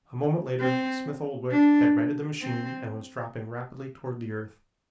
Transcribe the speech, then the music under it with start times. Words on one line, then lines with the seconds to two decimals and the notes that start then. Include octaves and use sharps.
A moment later Smith-Oldwick had righted the machine and was dropping rapidly toward the earth.
0.60 C4
1.51 D4
2.42 C4